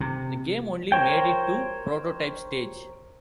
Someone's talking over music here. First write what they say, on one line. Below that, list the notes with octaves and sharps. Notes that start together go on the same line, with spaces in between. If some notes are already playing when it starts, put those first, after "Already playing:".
The game only made it to prototype stage.
C3
A#4 C5 C#5 G5